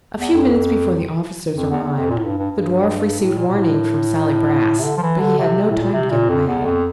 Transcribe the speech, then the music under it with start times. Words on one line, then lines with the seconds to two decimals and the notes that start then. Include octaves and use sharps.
A few minutes before the officers arrived the dwarf received warning from Sally Brass, but he had no time to get away.
0.20 E2
0.33 F2
1.56 F2
1.70 E2
1.84 E2
1.98 F2
2.10 A#2
2.18 A2
2.25 G2
2.38 G2
2.51 G2
3.20 A2
3.38 A#2
3.48 A#2
3.57 A2
4.79 C3
4.84 D3
4.97 F3
5.02 E3
5.20 D3
5.38 C3
5.70 A2
5.81 A#2
5.93 C3
6.11 A#2
6.29 F2
6.48 E2
6.65 F2